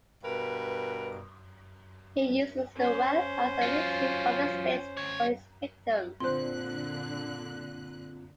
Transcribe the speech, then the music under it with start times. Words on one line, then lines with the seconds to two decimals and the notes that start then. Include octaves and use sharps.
He uses the well as a makeshift holding space for his victims.
0.24 G2 B2 A#4 B4
2.76 C#4 C5
3.62 F#3 F4
4.97 D2 C#5
6.20 A#2 D3 C4 F4 C5 C6 F#6